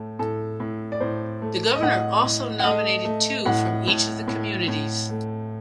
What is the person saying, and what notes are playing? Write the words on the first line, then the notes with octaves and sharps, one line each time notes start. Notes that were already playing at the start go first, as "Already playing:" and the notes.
The Governor also nominated two from each of the communities.
Already playing: A2 A3
A2 A4
A2
D5
A2 C5
A3
D#5
A2 F#5
A2
F#5
A3 D#5
A3
A2 F#5
A2
A2
A2
A3